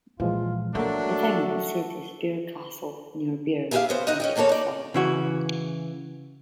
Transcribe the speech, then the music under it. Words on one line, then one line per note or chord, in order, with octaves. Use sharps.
The family seat is Birr Castle, near Birr, County Offaly.
A#2 E3 F3 G#3 F4
F#3 A3 A#3 D4 F#4 A4 A#4 E5
F#3
E4 G4 G#4 C5 E5 F5
C#3 B3 C5
D#4 D#5 E5 F#5
C#4 D#5 G5
E2 A#3 C4 A4 C#5
D#4 D5
C#3 E3 F#4